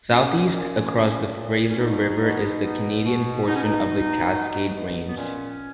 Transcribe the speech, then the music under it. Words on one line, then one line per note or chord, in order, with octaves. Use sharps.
Southeast across the Fraser River is the Canadian portion of the Cascade Range.
A#2 C#4
A#2
A#2
A#2
C#4
B2 D#4
B2
B2
B2
B2 D#4
C#4
D#4
B2
B2
B2
B3
A#2 C#4